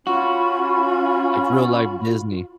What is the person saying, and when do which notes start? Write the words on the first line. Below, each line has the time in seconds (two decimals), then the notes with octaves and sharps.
Like real life Disney.
0.07 C#4 F4 F#4 B5